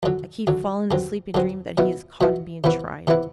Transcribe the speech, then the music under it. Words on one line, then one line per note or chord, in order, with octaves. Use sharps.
I keep falling asleep and dreaming that he is caught and being tried.'
F#2 D3 F#3
F#2 D3 F#3
G2 D3 F#3 C4
G2 D3 F#3 C4
B2 F#3 B3 E4
B2 F#3 B3 E4
C3 E3 B3 E4 B4
C3 E3 B3 E4 B4